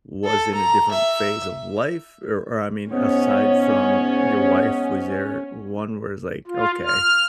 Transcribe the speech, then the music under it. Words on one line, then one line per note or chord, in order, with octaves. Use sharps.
was in a different phase of life? Or or, I mean, aside from your wife, was there one where it's like, "Okay,
A4
A#5
E5
G#2 B3 C#4
F4
F6